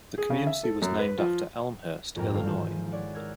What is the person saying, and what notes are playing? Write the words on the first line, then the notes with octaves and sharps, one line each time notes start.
The community was named after Elmhurst, Illinois.
G#4
C#3
E5
A4
F#2
B4
F3
A#1 F2 G#2 A#4 G5
G#1 G2 A3 F5
G#1 G#2 E3 F4 C5 E7
F3
C#5 D5 F#5
A#4 E6 F#6 G#6